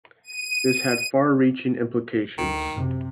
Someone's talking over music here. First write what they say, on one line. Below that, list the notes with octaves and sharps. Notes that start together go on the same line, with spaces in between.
This had far-reaching implications.
D#7
D2 D#3
F#2 C3